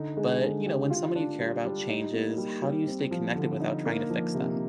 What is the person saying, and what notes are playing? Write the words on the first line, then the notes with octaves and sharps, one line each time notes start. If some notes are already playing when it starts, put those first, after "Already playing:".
But, you know, when somebody you care about changes, how do you stay connected without trying to fix them?
Already playing: D3 D#4
G#3
D3
G4
F4
D4
G3
G3
D#4
A#3
G3
G3
C4
F3
D3
D#4
A#3
F3
C3